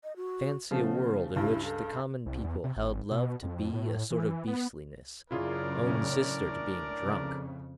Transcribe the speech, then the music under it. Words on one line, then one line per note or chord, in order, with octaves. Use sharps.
Fancy a world in which the common people held love to be a sort of beastliness, own sister to being drunk! . . .
D#5
F#4
C#3 F3 A3 B3
C#2 G2 E4
A4
C2
E2
C3
G#1
B2
F2
F2
A2
E3
B3
F#2 C#3 D4 E4 F4 G#4 A#4 D5
A2 C#4
F2 C#3